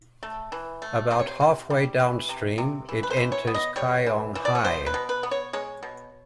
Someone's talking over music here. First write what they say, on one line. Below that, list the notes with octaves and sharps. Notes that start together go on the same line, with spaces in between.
About half way downstream, it enters Qionghai.
A3
E3
A3
C3 C5
C#5
C5
C3
G3
E3
C3
C3
E3
B4
C5
E3
C#5
B3
D#5
G3 C#5
E3
E3
D5
C#5
B2 C5
B4
B2
B4
B3
C#5
G#3 C#5
B2